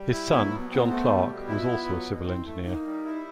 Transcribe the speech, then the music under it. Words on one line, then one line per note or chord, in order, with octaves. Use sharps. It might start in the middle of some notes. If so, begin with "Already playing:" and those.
His son, John Clarke was also a civil engineer.
Already playing: G3
E4
F#3 B3
A#3
B2
B3
B3 C4
A3
G3
B2
E4 F4
B3
F#3
B2
C4 E4
A3
A#3 D#4
G3
E4